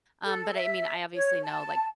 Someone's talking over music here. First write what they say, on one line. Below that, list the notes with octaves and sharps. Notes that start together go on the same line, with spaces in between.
Um, but I mean, I obviously know, like,
A4
E5
C#5
A5